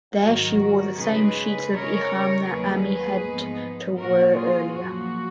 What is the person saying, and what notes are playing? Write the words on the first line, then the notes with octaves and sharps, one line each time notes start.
There she wore the same sheets of ihram that Ammi had to were earlier.
G#2 D#3 F#3 F#4 A#4
C#3 G#3 D#4 G#4 B4
C#3 G#3 C#4 A#4 C#5
D#2 D#3 F#3 A#3 G#4 B4
G#2 F3 B3 D#4
A#2 F#3 C#4 F#4 A#4
F4 G#4
F#2 F3 A#3 F#4